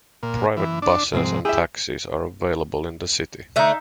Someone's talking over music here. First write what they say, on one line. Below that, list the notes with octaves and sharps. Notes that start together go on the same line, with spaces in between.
Private buses and taxis are available in the city.
A#2
E3
D4
C2 F2 G#2 C4
E4 G4 G#4 E5
D3 A3 D#4 E5